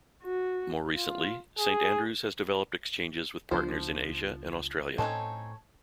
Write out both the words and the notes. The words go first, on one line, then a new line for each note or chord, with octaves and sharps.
More recently, Saint Andrews has developed exchanges with partners in Asia and Australia.
F#4
F4
G#4
C#2 F3 B3 D4 C5
A2 C4 C#4 D#4 A4 C#5